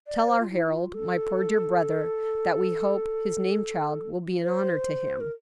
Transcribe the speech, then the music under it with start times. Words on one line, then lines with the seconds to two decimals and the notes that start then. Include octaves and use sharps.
"Tell our Harold--my poor dear brother--that we hope his name-child will be an honor to him."
0.07 D5
0.28 C5
0.40 F4
0.50 E4
0.67 E4
0.72 F4
0.94 A4
4.44 C5
5.20 A#4